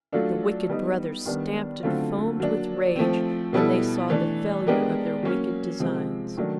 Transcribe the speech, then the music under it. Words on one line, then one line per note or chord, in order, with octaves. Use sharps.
The wicked brothers stamped and foamed with rage when they saw the failure of their wicked designs.
F#3 A3 D4 F4 A4
G3 B3 D#4
D#3 G3 B3 D4
D3 F#3 A3 C4 F4
F#3 A#3 D4
F3 A3 C4
B2 G3 B3 E4 A4
E3 A3 D4
G#3 B3 D4 G4 A#4
F#3 A#3 C#4
C3 F3 G#3 C4
D#3 F#3 A3 D4